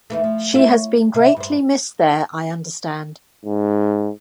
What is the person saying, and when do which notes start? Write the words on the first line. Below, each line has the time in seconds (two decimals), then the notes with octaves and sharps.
She has been greatly missed there, I understand.
0.10 D#2 E3 A3
0.24 F3
0.53 A3 E4 F4
0.68 C#5
1.14 C3
1.36 G2 C5
3.45 G#2